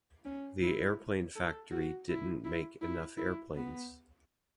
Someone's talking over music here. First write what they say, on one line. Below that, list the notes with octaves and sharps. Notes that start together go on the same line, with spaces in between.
The airplane factory didn't make enough airplanes.
C#4
E4
A4
F#4
E4
E4
E4
E4
B3